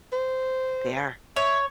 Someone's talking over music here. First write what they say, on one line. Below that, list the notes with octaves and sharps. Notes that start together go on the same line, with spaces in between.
They are.
C5
C#5 E5